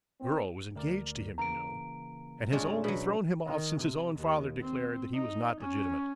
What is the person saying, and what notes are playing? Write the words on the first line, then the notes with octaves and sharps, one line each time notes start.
The girl was engaged to him, you know, and has only thrown him off since his own father declared that he was not legitimate.
C4
D2 A#4 D5
C#3 E3 A#3 A#5 D7
G2 C3 G#3 C#4 D4 F4
B2 F#3 E5 B5
D#3
C3
D#2
C4
D#4
C#4